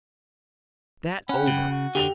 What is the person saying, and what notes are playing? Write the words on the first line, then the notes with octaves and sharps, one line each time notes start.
That over!
C#4 F#5 G5 B5
C#3
F#4
D3 G4 F7 G7